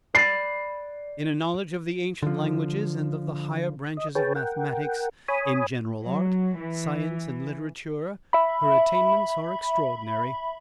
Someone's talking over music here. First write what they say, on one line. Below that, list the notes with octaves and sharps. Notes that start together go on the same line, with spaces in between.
In a knowledge of the ancient languages and of the higher branches of mathematics, in general art, science, and literature, her attainments are extraordinary.
D5 B5 C7
D3 F3
D#5
G#4 B4 C#5 G5 A5
A#4 F#5 G5
C#5 G#5 B5 D#6
F#3
E3
E5 B5